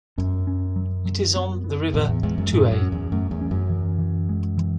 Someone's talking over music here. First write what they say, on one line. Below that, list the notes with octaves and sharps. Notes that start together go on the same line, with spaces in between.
It is on the River Thouet.
F#2 C#4
C#4
F#3
F#3
B3
B3
E2 A2
E2
E2 G#3
F#2
F#2 A2
F#2
C#4
E2
F#2 A3
E2
C#4
F#2
E3
E3
G#3
E3